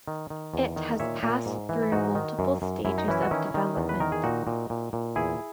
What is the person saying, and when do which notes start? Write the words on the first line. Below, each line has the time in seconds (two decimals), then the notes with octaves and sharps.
It has passed through multiple stages of development.
0.08 D#3
0.30 D#3
0.54 E2
0.76 D#3
1.00 A#2 C#5 E5
1.23 A#2
1.46 G#2
1.69 E3
1.82 E4
1.92 G#2 D#4 F#4
2.15 D#3
2.39 F#2
2.62 F#2
2.85 F#2 E4
2.98 D#4
3.08 E3 C#4 E4
3.22 F#4
3.31 D#3 C#4 E4
3.54 D#3
3.77 E2
3.89 B4
4.00 D#3 A#4
4.12 G#4
4.24 A#2 D#4 F#4
4.47 A#2
4.70 A#2
4.93 A#2
5.16 E2 E4 G#4